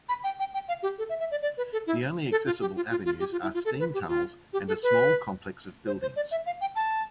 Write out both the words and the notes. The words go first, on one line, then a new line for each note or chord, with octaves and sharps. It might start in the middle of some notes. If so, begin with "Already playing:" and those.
The only accessible avenues are steam tunnels and a small complex of buildings.
B5
G5
G5
G5
F5
G4
A4
E5
E5
D5
D5
B4
A4
E4
A4
F4
G4
F4
F4
F4
G4
F4
E4
F4
A4
B4
G4
F4
G4
A4
B4
C5
C5
D5
E5
F5
G5
A5